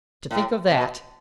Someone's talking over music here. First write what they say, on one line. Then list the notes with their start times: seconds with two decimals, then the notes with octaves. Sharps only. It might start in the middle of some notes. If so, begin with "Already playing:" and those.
'To think of that!
0.31 A2
0.70 B2